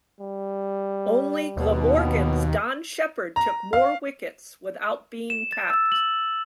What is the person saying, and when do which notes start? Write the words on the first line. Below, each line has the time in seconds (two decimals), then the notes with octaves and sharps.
Only Glamorgan's Don Shepherd took more wickets without being capped.
0.20 G3
1.57 D#2 B2
3.36 A#5
3.73 F5
5.30 E7
5.52 A6
5.70 E6
5.92 F#7